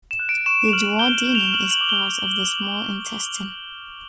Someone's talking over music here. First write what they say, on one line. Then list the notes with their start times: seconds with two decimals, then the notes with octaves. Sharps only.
The Duodenum is part of the small intestine.
0.11 E7
0.19 F#6
0.29 D7
0.46 C#6 E7
0.68 F7
0.73 F6 F#7
0.99 G6 G7
1.18 F#7
1.27 G6
1.35 F7
1.53 F6 F#7
1.71 F#7
1.81 D6
1.89 G7